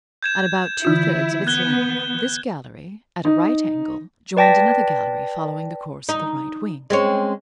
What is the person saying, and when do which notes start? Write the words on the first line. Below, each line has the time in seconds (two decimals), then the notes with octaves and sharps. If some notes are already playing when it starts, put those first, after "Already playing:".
At about two-thirds of its length this gallery, at a right angle, joined another gallery following the course of the right wing.
0.23 G6 G#6 E7
0.85 D3 E3 E4 F4
1.47 B3 F#6 G#6 G7
3.25 D#4
4.37 B4 D5 G5 A5 A#6 B6
6.09 D#4
6.90 G#3 C4 C#4